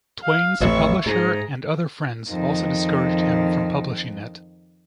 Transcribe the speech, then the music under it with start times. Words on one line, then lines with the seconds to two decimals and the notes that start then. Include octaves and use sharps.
Twain's publisher and other friends also discouraged him from publishing it.
0.23 F5
0.60 A1 F2 E5 C#6
1.06 G#2 G#4 A#5
2.28 F2 D#3